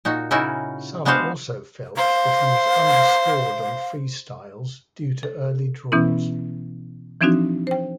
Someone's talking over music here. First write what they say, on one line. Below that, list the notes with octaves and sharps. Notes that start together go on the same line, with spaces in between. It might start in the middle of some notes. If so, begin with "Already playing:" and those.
Some also felt that he was underscored on freestyles due to early draws.
A#2 D#4 F#4
C#3 C#4 D#4 E4 F#4 A#4
G#3 B3 D4 F#4 C5 F5
C5 F5
A4
B2 E3 B3 C#4 E4
E3 F3 C4 D4 D#4 F#4
C5 G5